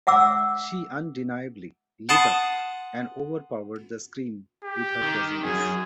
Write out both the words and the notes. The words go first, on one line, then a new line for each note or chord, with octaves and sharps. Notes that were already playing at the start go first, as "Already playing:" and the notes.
She undeniably lit up and overpowered the screen with her presence.
E5 F#5 D6 E6
F#5 A5 C6 D#6
G4
D#3
F#2 G#4